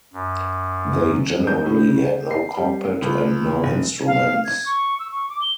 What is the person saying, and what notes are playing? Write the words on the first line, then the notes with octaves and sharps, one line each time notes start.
They generally had no cockpit and no instruments.
F#2
G6
A2
C#3
C7
G3
C#2
F1
F5
G#6
C#6
E6
C#6
D6
G7